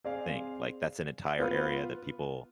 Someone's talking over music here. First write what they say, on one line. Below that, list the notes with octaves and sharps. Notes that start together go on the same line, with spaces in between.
thing, like, that's an entire area that people
C4 G#4 D5 F5
B3 F4 B4